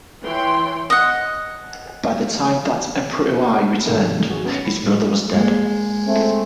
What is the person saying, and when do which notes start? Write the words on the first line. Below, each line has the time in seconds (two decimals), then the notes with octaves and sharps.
By the time that Emperor Hui returned, his brother was dead.
0.23 E3 C#5 G5 C6
0.90 D#5 F#5
3.86 G#2 C3 D#3 A3 A#3 C4
4.30 F#4 G#4
4.45 B3 C#4
4.65 B5
4.83 A2 C5
5.33 G#3 A#3
6.06 A3 C4